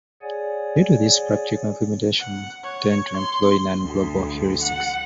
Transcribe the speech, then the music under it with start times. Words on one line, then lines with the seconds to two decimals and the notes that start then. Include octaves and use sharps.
Due to this, practical implementations tend to employ non-global heuristics.
0.22 G#4 C#5 D5 F#5 G#5
2.20 F#5
2.64 C#5
3.17 C6
3.81 D2
4.62 F#5